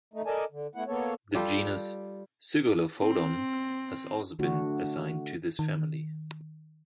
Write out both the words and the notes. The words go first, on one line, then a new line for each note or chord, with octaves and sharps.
The genus "Zygolophodon" has also been assigned to this family.
A3 D#4
A4 A#4 D5 D#5 G#5 A5
D3
A3 B3 E4 F#5
A#3 B3 A4 C#5
G3 F4 G4 A4
C4
D3 A3 D4 F#4
D#3